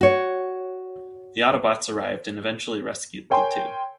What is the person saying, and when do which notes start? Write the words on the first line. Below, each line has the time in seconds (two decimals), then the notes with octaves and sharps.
The Autobots arrived and eventually rescued the two.
0.01 F#4 C#5
3.30 A#4 C#5 G5 G#5 C6